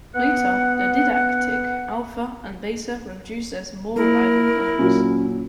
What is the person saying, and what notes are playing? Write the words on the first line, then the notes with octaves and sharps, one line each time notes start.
Later, the Didaktik Alfa and Beta were produced as more reliable clones.
B3 F#5
A#3 E4 A#4
A#2 F#3 C#4